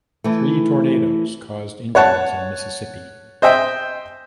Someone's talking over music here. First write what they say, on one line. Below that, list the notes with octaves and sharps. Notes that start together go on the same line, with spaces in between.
Three tornadoes caused injuries in Mississippi.
E3 A3
C#5 F#5 A5
C5 D#5 E5 G5